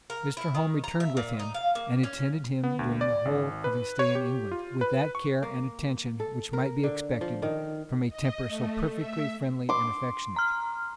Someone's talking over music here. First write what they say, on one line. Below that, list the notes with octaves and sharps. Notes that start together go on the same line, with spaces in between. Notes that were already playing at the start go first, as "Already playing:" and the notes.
Mr. Home returned with him, and attended him during the whole of his stay in England, with that care and attention which might be expected from a temper so perfectly friendly and affectionate.
A#4
E4
D#3
A#5
E5
A#2
D#4
F5
A#3
C#4
B3
D2
D5
G#1
B4
C#5
G4
F4
B4
C#6
A#3
A4
A#4
D3
F3
D#3
D#5
A3
E5
C6 D6
A#5 F6